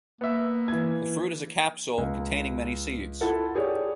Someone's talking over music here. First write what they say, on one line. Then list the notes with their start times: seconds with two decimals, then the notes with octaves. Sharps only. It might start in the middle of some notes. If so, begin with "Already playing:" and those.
The fruit is a capsule containing many seeds.
0.21 A#3 B3 E5
0.68 E3 G#6
1.98 C#2
3.21 E4 F4 A4 F#5 A5
3.54 G4 G#4 C#5 D5